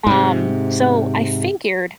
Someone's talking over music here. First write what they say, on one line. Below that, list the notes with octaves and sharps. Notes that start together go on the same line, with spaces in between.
Um, so I figured,
G#2 C3